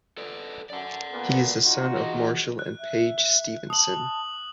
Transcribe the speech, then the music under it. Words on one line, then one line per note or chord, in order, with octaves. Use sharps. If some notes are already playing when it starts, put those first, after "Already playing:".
He is the son of Marshall and Paige Stevenson.
A4 B4 D5
F#2 D5 F#5
A#2 B3
D#4 F4 F#4
E3 G#4 D#5
F#6
E5
A5 D#6 F#7